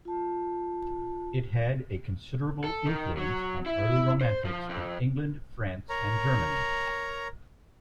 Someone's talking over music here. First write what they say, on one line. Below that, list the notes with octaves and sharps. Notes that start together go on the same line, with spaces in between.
It had a considerable influence on early Romantics in England, France and Germany.
F4 A5
A4
D#3
F#3
E4
C5
F3
F2
A#4 C#5 A#5